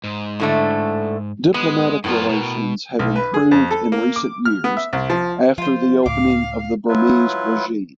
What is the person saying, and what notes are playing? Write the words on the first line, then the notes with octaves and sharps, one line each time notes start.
Diplomatic relations have improved in recent years after the opening of the Burmese regime.
G#2
A2 D3 A3
G#3 B3
F#2 A2 B3 F4 A#4
B2
B1
B4
G#4
F2
A4
A#3
D6
F6
B3
E5
C2
F3
F3 F4 C5
C#2 A2 F5 D6
F#3 E4 F4 B4